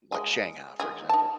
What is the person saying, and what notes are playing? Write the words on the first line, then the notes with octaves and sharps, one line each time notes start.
like Shanghai, for example.
G#3 G#4
D#3 G#3 G#4
D#4 A5